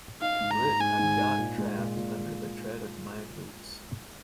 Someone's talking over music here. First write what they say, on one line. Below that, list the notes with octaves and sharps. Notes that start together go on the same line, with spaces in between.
Grit had got trapped under the tread of my boots.
D#4 F5
G#2
A#5
G#2
G#2 G#5
G#2
D#4
A#2
G#3
A#2
A#2